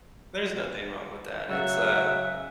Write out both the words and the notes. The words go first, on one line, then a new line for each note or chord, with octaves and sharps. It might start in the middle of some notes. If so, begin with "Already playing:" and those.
there's nothing wrong with that. It's, uh,
C#3 F#3 E5 F#5